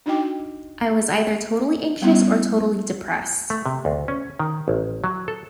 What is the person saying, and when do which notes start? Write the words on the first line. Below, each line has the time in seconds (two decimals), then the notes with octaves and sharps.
I was either totally anxious or totally depressed.
0.06 D4 D#4 F#4 D#5 G5 D6
2.02 G3 B3 C#4 E4
3.50 A3
3.66 C3
3.85 D2
4.08 C#4
4.39 D#3
4.68 A1
5.04 F#3
5.28 A4